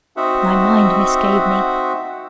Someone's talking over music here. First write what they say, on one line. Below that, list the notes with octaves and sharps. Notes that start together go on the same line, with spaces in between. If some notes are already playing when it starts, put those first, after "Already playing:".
'My mind misgave me.
C4 D#4 F#4 E5 F#5